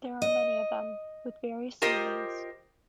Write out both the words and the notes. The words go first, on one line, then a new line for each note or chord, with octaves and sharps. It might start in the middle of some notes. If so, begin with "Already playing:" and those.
There are many of them, with various meanings.
D#5
F4 G4 A#4 C5 D#5